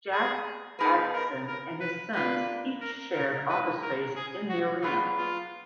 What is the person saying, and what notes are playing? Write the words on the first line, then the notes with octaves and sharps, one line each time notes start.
Jack Adkisson and his sons each shared office space in the arena.
G#4
B3 D#4 G#4 A#4 B4
A#4
A#4
B4
A#3 D4 F4 B4
A#4
A#4
B2 G#3 D#4 B4
A#4
G#4
F#4
F#3 B3 D4 F4 G#4 B4
F4